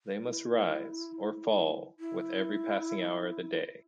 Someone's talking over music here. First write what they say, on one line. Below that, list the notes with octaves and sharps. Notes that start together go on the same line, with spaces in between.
They must rise or fall with every passing hour of the day.
E4
E4